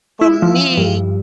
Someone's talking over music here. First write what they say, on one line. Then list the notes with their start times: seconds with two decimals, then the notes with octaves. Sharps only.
for me,
0.21 E4
0.42 F3
0.77 G2